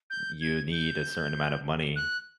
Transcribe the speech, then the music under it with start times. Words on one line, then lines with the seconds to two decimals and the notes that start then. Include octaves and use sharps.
you need a certain amount of money.
0.10 G6
0.41 G#6
0.72 G6
1.96 F#6